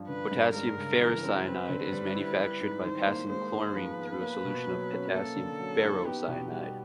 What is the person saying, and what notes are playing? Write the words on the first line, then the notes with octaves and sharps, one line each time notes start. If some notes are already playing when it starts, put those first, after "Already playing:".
Potassium ferricyanide is manufactured by passing chlorine through a solution of potassium ferrocyanide.
Already playing: G2 F3
D3 B4
G2
G#3 A#4
C#3
E3
C4
C4 B4
D3
G3
E4
G3
G#2
D#3 C5
A#3
G#3 C5
G#2
F3 B4
B3
A#3
B2
F#3
C#4
A#3 A4
D3
F#3
D#4
B3 G4
B2
G3 G4